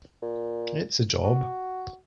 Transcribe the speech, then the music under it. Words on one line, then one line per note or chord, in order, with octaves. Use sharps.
It's a job.
A#2
F#4